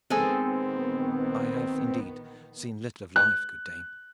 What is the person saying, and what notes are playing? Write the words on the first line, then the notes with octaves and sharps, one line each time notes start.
"I have indeed seen little of life, good dame."
A#1 D#3 G#3 B3 C4 A4 G#5
F#6